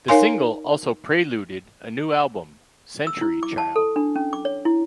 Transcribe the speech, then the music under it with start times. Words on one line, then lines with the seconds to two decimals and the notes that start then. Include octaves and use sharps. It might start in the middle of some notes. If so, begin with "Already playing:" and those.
The single also preluded a new album, "Century Child".
0.08 D#4 A#4 C#5 F5 G#5 C6
3.07 E6
3.21 E4
3.43 D6
3.58 A5
3.76 A4
3.96 D4
4.16 C#4
4.33 D6
4.45 C#5
4.65 E4